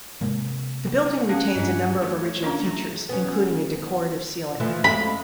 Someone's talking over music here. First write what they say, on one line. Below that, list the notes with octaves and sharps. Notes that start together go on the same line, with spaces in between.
The building retains a number of original features, including a decorative ceiling.
C3 G#3 A#3
C#4 G#4 F5 F#5 G#5
G2 D4 F4 D#5
A3 C#5
A#3 C#4 D4 F4
A3 A#5
B3 C#4
E3 F3 A3
F2 G#3 A3 B5